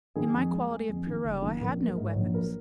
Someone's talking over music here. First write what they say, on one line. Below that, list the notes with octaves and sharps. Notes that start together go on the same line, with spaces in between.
In my quality of Pierrot I had no weapons.
D#3 G#4
F2
G#3
G#3
F2
D#3
F#1
D#3
A#1 A#4
F#3
A#4
G#2
C#5
A#1
F#3 A#4